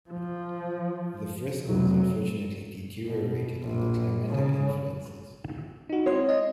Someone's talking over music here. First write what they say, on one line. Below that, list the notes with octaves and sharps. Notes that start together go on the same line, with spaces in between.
The frescos unfortunately deteriorated under climatic influences.
F3
F1 F#3
B2
A#1
C#3
D#4 F#4
G#3 C4 E4 C#5 C6
D#5